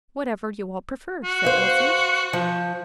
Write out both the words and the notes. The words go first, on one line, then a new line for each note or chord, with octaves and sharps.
"Whatever you all prefer," said Elsie.
F#4
C5 F5
F3